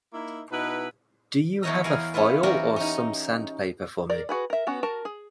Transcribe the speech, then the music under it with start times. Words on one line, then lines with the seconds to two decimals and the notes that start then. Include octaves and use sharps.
Do you have a file or some sandpaper for me?
0.13 A#3 D#4 E4
0.51 B2 D#4 E4 B4
1.63 E2 F#4 C#5 D#5 A#5
1.84 E2 A#4 F5 G#5
2.14 C#4 E4 F4 B4
2.43 E2 C#4 F#4 G4 A#4 C6
2.76 C#4 D#4
4.09 A#4 D5
4.29 F#4 G#4 B4
4.50 A#4 E5
4.67 B3 C#4 F#4
4.83 F#4 A#4 A5
5.05 G#4